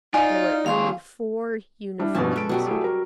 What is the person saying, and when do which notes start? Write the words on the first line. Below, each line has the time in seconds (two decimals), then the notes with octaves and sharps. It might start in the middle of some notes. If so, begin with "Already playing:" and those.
There were only four uniforms.
0.14 D#4 F4 D5 G#5
0.66 D#2 G#4 F5 C6 C#6
1.99 G3 D4 E4
2.15 A#1 G2 B2 C#4 A5
2.36 G#3 A4 B4 D7
2.49 B2 F#3 G3 F#4
2.67 A3 G#4
2.84 A#4